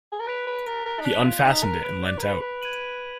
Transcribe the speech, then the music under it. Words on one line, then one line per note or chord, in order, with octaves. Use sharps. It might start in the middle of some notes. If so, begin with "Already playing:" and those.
He unfastened it, and leant out.
G#4
A#4
B4 F#6 B6 D7 F7
B4
A#4
A#4
D#4
D4 F#6 B6 D7 F7
F4
D#4
A#4
B4 F#6 B6 D7 F7
D5
A#4
B4
B4
G#6 D#7 F#7